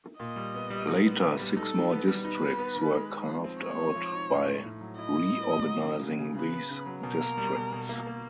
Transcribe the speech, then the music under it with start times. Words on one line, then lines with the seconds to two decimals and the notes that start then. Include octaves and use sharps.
Later, six more districts were carved out by reorganizing these districts.
0.20 A#2 D#5
0.36 G3
0.54 B3
0.70 G3
0.89 D#4
1.05 B3
1.22 B3
1.39 G3
1.56 D#4 A4
1.74 D#3
1.91 B3
2.08 G3
2.25 D#4 B4
2.42 B3
2.58 B3
2.76 D#3
2.94 G#3
3.10 D#4
3.28 F3
3.44 C4
3.61 G#3 C#5
3.79 F3
3.96 F3
4.13 D#4
4.30 A2
4.47 A2
4.65 A2
4.81 F#3
4.98 E4 D#5
5.15 E4
5.32 E4
5.51 E4
5.67 F#3
5.84 C#3
6.02 C#3
6.19 C#3
6.35 C#3 B4
6.52 B3
6.70 C#3
6.86 F#3
7.03 B2 A#4
7.20 A#3
7.38 G3
7.55 B2
7.73 B2
7.89 A#3
8.07 A#3